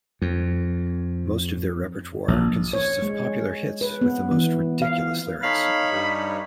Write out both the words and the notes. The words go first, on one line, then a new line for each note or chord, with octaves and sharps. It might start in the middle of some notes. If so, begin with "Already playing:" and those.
Most of their repertoire consists of popular hits with the most ridiculous lyrics.
F2
A#1
C#5
G#3
B4
B3
E3
F5
D#4 A4 C#5 F5 B5
G2